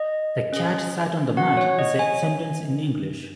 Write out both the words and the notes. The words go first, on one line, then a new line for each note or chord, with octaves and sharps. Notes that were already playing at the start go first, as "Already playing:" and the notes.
"The cat sat on the mat" is a sentence in English.
Already playing: D#5
C#4 G#4
C#4 F#4 F#5
C#5
D#5
G#5